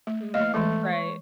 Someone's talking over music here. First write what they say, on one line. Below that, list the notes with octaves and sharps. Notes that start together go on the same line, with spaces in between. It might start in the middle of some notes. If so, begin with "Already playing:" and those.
Mhm, right.
A3
A3 A#3 D#5 F5
E3 G#3 A3
C#5